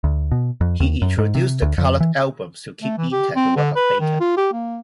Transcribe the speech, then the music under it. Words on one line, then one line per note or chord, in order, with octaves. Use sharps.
He introduced the coloured albums to keep intact the work of Bacon.
D2
B2
F2
D#2
F#2
G#2
C3
D2
F2
E3
A3
E3
G4
C4
D3
B4
D#3
F4
G4
A#3